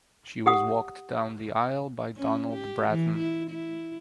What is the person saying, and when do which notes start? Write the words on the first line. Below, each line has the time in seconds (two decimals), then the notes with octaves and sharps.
She was walked down the aisle by Donald Bratton.
0.46 G4 F#5 D#6
2.17 C#4
2.52 G4
2.86 E3
3.18 E4
3.50 E4